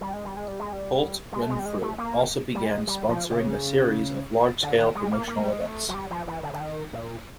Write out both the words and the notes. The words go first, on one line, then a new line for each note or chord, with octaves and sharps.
Holt Renfrew also began sponsoring a series of large scale promotional events.
G3
G#3
G3
G#3
G3
G#3
G3
G#3
A3
G#3
G3
G#3
A3
A#3
G3
G#3
G3
F3
C#3
D3
D#3
G#3
A#3
A#3
G3
G#3
A3
F#3
G3
F3
E3
D3
D3
D#3
A#2